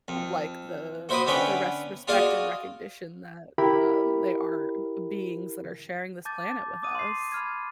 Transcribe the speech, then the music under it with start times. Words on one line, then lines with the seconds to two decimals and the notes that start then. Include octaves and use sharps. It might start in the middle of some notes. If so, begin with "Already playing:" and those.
like the the res respect and recognition that, um, they are b beings that are sharing this planet with us.
0.08 F2
1.09 F#4 C5 E5 B5 D6 D#6
1.27 D3 B3 C#4 E5 F#5 G5
2.08 F4 F#4 G#4 D5 D#5 F5
3.58 E4 G4 A#4 B5
6.25 A5 D6 G6 A6
6.82 D6 D#6 D#7
6.95 C6 C7
7.32 B5 F6 G#6